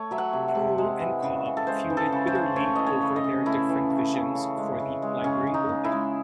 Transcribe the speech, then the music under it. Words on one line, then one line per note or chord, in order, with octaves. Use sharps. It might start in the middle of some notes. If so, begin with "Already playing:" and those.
Poole and Cobb feuded bitterly over their different visions for the library building.
Already playing: A3 C#5
F#3 E5
F#5
C3
F#5
C3
G#3
E3
C#3
C#3
A4
G#3 C5
E3
A4
C#3
C5
C#3
A3 C#5
E3 D#5
C#5
C#3
D#5
C#3
A3 E4
E3
C#3
C#3
C#3
G#3
C#3
G#3
C#3 C#4
G#3
D#4
C#3
E4
G#3